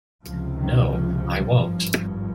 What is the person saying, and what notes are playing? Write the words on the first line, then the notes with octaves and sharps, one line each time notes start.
No, I won't!
C#2 C3 F3
D#3
F3
G#1 G2 F3
F3